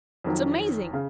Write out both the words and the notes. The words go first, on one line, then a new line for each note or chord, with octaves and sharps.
It's amazing!
F2 D#3 F#3
C#3